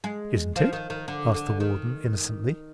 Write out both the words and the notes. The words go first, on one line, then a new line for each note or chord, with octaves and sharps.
"Isn't it?" asked the warden, innocently.
G#3
F3
D#3
D#3
D3
D3
D#3